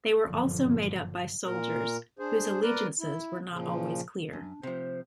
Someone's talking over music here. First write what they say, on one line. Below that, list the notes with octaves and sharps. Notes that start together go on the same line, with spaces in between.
They were also made up by soldiers whose allegiances were not always clear.
F#1 G2 A#2 D3 F3
A#2 A#4
D4 G#4 C5
A#4 B4 D5
E4
A#2 C#3 F3
F#2 D4
C3 F3 C5